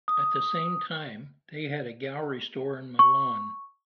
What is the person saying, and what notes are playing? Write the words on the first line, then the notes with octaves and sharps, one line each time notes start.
At the same time, they had a gallery store in Milan.
D#6
C#6